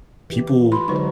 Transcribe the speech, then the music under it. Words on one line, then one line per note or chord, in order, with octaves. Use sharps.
people t
E3 G4
F4 B5 C6
D3 F#3 G#3 D#4 B4 C#6